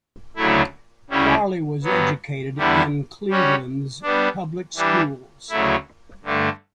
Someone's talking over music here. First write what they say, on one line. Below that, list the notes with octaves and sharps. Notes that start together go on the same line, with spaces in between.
Farley was educated in Cleveland's public schools.
D2 C#3 F#3 A3 E4
D2 C#3 G3 C#4 E4
G2 F#3 B3
E2 D3 G3 B3 E4
G3 C#4 F#4 C#5
G3 B3 D4
E3 G3 D4
D2 C#3 F#3 A3 E4
G2 D3 A3